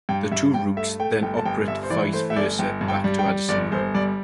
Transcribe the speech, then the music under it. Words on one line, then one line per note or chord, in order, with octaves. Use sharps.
The two routes then operate vice versa back to Addison Road.
G2 G5
G2 E5
G2 G5
A3 E5
A3 G5
G1 G5
A5
G1 G5
G2 E5
C5
E3 D5
A3 C5
E5
G1 D5
G1 G5
G2
G5
G3
G5
G3
G1 D5
G1 C5
G3 D5